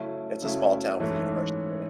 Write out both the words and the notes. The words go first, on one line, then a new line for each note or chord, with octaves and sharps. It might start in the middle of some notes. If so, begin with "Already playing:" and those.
It's a small town with a university in it.
Already playing: C#3 F#3 A3 C#4 E4
C#3 F#3 A3 C#4 E4
G#2 E3 A3 C#4